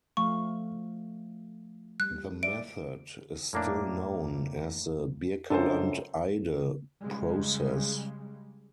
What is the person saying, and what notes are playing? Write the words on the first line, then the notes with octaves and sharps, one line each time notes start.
The method is still known as the Birkeland-Eyde process.
F3 A3 F5 C#6
G3 F#6
D5 E5 D7
F2 A2 A#3 D4
C#2 F#2 D4 A4 C5
C#3 G3 G#3